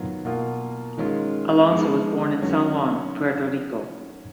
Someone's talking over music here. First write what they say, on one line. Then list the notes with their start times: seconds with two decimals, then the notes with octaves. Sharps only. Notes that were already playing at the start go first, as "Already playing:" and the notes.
Alonso was born in San Juan, Puerto Rico.
Already playing: D#3 F#3 B3 F4
0.25 B2 A#3 F4
0.97 D#3 G#3 C#4 F4
1.70 F3 G#3 B3 D#4
2.42 D#3 F#3 C#4